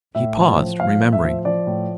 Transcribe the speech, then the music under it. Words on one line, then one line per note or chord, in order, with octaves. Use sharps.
He paused, remembering.
A2 E5
F3
F3
A2 F5
A2
E5
F3
F3 D5
A2